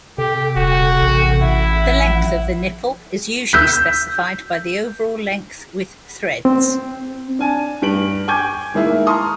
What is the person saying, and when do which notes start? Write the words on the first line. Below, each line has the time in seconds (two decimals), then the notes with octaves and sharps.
The length of the nipple is usually specified by the overall length with threads.
0.18 C3 G4 A4 G5
0.56 D#1 F#4
1.01 A1
1.42 E4 F#5
2.05 F3 F#5
3.53 E6 G6 B6
6.45 C4
7.39 D4 G#5 A5
7.82 G2 G4 D7 F#7
8.28 G5 G#5 C#6 D6 G6 G#6
8.74 D#3 G#3 A#3 E4
9.07 A5 A#5 C6 C#6 D#6 F6